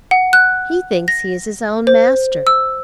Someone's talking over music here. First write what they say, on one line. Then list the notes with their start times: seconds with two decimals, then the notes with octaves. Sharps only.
He thinks he is his own master.'
0.11 F#5
0.33 F#6
1.08 A#6
1.87 C5
2.47 E6